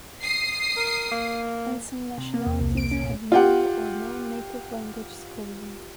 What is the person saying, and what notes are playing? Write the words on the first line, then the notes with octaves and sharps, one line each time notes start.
And some nationalities had minimal or no native-language schooling.
D#6 C7
A#4
A#3
C3
A#3
E2
C2
D7
C#4
A#2
F4 G4 F#5